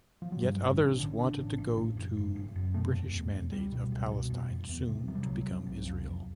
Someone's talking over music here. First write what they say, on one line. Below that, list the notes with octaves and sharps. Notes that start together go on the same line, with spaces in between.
Yet others wanted to go to British Mandate of Palestine soon to become Israel.
F3
F#3
G2 G3
A1 C#4
A1 D4
D3 C#4
A1 D4
A1
A1
A2
F#1
F#1
F#1
F#2
B2 A3
E1
E2
E1
C#2 G3
B2
C#2
B2
F1
F1
E2
C3
C3 F#3
G3
C2 F#3
C2
C2
F2
F1